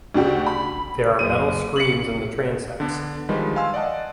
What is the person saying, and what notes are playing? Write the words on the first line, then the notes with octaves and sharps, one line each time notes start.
There are metal screens in the transepts.
D2 C#3 D4 F#4 G4
B5
F#1 D#7
C#7 F#7
D3 B3 D4
D#3 F3 G3 G#3 B4
F5 G#5 C6 E6
D5 D#5 F#5 A5